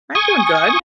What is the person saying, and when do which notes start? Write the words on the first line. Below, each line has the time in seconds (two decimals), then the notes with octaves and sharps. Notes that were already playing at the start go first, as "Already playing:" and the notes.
I'm doing good.
0.15 G#5 C#6 D#6